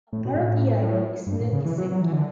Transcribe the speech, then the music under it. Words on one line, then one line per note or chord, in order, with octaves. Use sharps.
A part of iaido is "nukitsuke".
A2
B2
G2
A2
G2
A2
C#3
E3
F#3
F#3
E3
D3